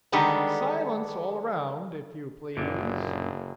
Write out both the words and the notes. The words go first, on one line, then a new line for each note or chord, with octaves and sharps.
Silence all round, if you please!
D3 D#3 G3 G#3 B3 D4
F#1 F#2 A#2 D3